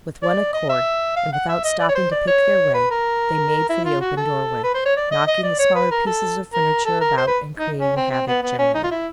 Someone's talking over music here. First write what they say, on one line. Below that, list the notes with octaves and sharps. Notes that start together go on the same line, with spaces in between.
With one accord, and without stopping to pick their way, they made for the open doorway, knocking the smaller pieces of furniture about and creating havoc generally.
D5
D#5
E5
F5
F#5
E5
D#5
D5
C#5
C5
D5
C#5
B4
A#4
E4
F4
F#4
A4
B4
C5
C#5
D5
D#5
D#5
D5
C#5
B4
A#4
A4
A#4
A4
A#4
C5
B4
D#4
C#4
C4
C4
B3
B3
C#4
D#4
F4
E4